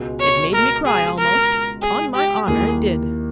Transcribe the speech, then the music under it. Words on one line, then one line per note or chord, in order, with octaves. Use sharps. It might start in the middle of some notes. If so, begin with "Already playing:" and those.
"It made me cry almost; 'pon my honour it did."
Already playing: C#2 B2 G#3
C#5
A#4
G#4
A#4
G#4
G4
D#2 D#3 A#3 E4 G#4